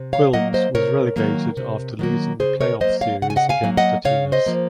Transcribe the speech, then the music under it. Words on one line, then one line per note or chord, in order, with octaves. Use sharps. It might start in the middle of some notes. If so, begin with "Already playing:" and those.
Quilmes was relegated after losing the playoff series against Atenas.
Already playing: C3
C#5 F5
F#3 A#3 D#5 F#5
C5 D#5
C3 A#4 C#5
D#3 F#3 A#3
C3
D#3 F#3 A#3
C#3 G#4 C5
A#4 C#5
F#3 A#3 C5 D#5
C#5 F5
C#3 F#5
G#5
D#5 F#5
F5 G#5
F#3 A#3
D#5 F#5
C#3 C#5 F5
C5 D#5
F3 A#3